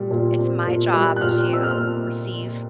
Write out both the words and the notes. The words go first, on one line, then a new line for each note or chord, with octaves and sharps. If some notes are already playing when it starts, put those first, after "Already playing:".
it's my job to receive
Already playing: A#2 G3
A#2
C4
A#2
G3
F#6
A#2 F6
C4 E6
F6
A#2